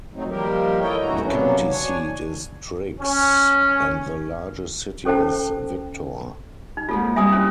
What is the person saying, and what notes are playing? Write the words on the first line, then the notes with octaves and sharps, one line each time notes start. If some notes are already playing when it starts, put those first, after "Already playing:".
The county seat is Driggs, and the largest city is Victor.
F#3 A3 C4 D#4
D#3 F3 G3 A#3 G4 A#4
E4 A4 A#4 C#5 D#5 G5
G2 A#2 E3 A3 F#4 A#5
C3 F#3 A#3 B3 C#4 D4
D4 C#5 G#5
C#4
C#4 A4 C5 G5 A5
D#4
G#2 A#3 C4 F4 A4
G3 C4 E5 G#5 D#6
C#4 E4 C5